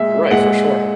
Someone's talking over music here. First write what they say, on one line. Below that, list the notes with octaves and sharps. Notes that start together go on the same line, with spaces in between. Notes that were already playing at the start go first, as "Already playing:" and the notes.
Right, for sure.
Already playing: A#2 G#3 E5
A#2 G#3 F#5